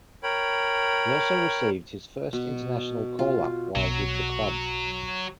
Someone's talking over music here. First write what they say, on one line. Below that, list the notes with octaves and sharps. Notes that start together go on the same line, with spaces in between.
He also received his first international call up while with the club.
A#4 C#5 G5 B5
B2
F4
B1 F#3